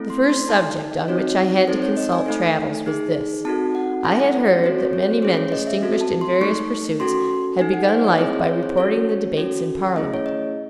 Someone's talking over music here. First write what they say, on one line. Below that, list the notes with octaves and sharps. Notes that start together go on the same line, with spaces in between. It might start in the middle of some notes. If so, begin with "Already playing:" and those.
The first subject on which I had to consult Traddles was this,--I had heard that many men distinguished in various pursuits had begun life by reporting the debates in Parliament.
Already playing: A3 C4 E4 A4
C6
C6
D#4 A4 A5
D#5
C4 D#4 F#4 C#5
C4 D#4 A4 C5
C#5
D#5
G#5
A3 D#4 A4
D#4 G#4
C4 D#4 F#4 A4 A5
F#5
C#4 E4 A4 G#5
F#5
C5
C#5
C4 F#4 A4 C5
C#5
C#5
C5
A3 C#4 G#4 C5
C#5
D#5
E5
C4 F#4 A4
A5
C6
A3 D#4 A4 C#6
C#4 F#4 A4 C6
D#4 A4 G#5
F#5
C5
C#5
C4 E4 G#4 D#5
C5
C#5
C5
C#4 F#4 A4 C#5
C#4 F#4 A4
A3 C#4 E4 G#4 D#5
C#5
D#5